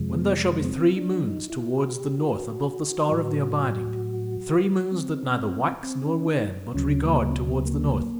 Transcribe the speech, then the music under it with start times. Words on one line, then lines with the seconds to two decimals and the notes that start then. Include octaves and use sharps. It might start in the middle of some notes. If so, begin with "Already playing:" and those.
When there shall be three moons towards the north above the Star of the Abiding, three moons that neither wax nor wane but regard towards the North.
Already playing: F2 C3 F3 G#3
0.13 B3
0.62 B3
0.66 C4
0.96 D4
1.27 D#4
1.50 E4
1.72 F#4
1.95 G4
2.18 F#4
2.26 F4
2.34 F#4
3.09 A2 F#3
4.92 C4
5.83 C4
6.06 C#4
6.28 D#4
6.74 D2 C#3 F#3 C#4
7.05 A#3
7.31 C4
7.35 B3
7.65 A#3